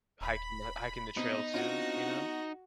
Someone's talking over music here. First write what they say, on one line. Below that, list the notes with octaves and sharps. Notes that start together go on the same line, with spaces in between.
hiking tha hiking the trail too, you know,
D#1 B5
B2 B3 C4 D#4
C4 D4 F4 F#4 A#6